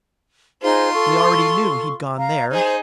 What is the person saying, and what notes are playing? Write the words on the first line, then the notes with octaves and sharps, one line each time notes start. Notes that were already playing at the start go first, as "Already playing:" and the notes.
"We already knew he'd gone there."
D#4 F4 G#4 C5 C6
A4 C#6
F5 A#5
D#4 G#4 C5